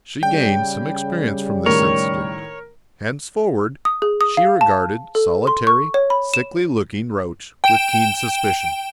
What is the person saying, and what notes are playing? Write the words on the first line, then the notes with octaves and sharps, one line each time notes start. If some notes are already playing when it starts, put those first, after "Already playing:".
She gained some experience from this incident; henceforward, she regarded solitary, sickly-looking roach with keen suspicion.
C#3 G3 G5
A2 D#3 A#4 C#5
D#6
G#4
D#6
F5
A5
A4
C6
C#6
C#5
B5
E7
G5 D7 E7